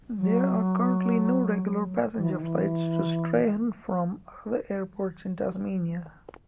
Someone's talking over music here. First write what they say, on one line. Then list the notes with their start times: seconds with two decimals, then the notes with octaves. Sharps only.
There are currently no regular passenger flights to Strahan from other airports in Tasmania.
0.17 F#3
2.17 E3
2.30 D#3
2.42 E3